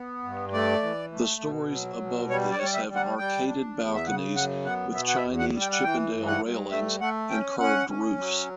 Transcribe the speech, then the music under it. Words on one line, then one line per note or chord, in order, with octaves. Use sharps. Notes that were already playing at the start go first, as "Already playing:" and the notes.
The storeys above this have arcaded balconies with Chinese Chippendale railings and curved roofs.
Already playing: B3
G2
A3 D5
E3
A3
B2
F#3
B2
G3 C#5
D5
G3 C#5
D5
E5
G3
F#5
G3 G5
D4
E2
E5
C#3 F#5
F#2 F#5
B3 F#5
B2 E5
F#5
E5
E2
F#5
G3
G5
F#5
E3 G5
G2
F#5
G2
A3 E5
A3 F#5
C#4 G5
C#4 F#5
C#4
F#3